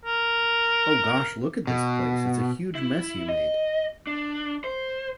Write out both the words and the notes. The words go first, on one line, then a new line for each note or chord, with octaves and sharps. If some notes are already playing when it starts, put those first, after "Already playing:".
Oh gosh, look at this place, it's a huge mess you made.
A#4
B2
E4
D#5
D4
C5